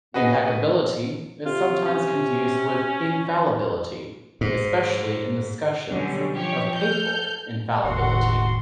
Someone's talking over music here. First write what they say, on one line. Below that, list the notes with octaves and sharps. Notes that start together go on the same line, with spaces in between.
Impeccability is sometimes confused with infallibility, especially in discussions of papal infallibility.
F#4 G#4 B4 D#5
C3 F4
C#4
G#2
B2 D3 F#3 G3 C#4
F3 G4 C#5
A4 F6 G6
F#1 D#2 A2 F#4 F#5 C6